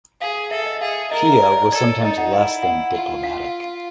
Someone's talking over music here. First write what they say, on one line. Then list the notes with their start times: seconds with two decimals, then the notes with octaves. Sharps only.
Pilla was sometimes less than diplomatic.
0.21 G#4 F5
0.51 A4 E5
0.66 D#5
0.81 G#4 F5
1.11 A#4 D#5
1.42 D5
1.52 C#5
1.62 C#5
1.72 A4 D5
2.02 D#4 D#5
2.18 F#5
2.33 E4
2.63 F#5
2.93 F4
3.23 F5